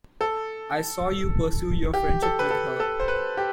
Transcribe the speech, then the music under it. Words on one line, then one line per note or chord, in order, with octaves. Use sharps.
I saw you pursue your friendship with her.
A4
G4
A4
B4
A4
A4
C5
B4
G4